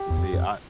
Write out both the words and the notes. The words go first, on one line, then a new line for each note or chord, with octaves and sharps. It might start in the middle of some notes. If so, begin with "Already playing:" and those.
and see I
Already playing: G4
E2
F2
F#2
F2